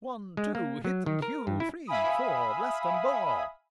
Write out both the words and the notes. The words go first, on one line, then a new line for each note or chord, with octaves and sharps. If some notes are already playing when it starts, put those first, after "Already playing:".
'One, two, Hit and hew! Three, four, Blast and bore!'
G#3
A#3
F#3
D#3
A#4
G2
E4
E5 F5 G#5 B5 D#6